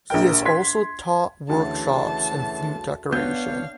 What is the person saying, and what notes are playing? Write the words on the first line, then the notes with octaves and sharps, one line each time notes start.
He has also taught workshops in flute decoration.
A#1 A#4 G5
C6 G#6 B6
D2 C#3 E3 A3 A5
B3 D4 C#5 F5 G6